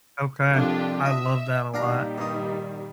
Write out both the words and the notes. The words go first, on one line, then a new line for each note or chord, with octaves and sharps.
Okay. I love that a lot.
C2 F2 D4 F4 G4
D#5 E5
A#2 D#3 G3 D4 F5 A#5
G2 D#4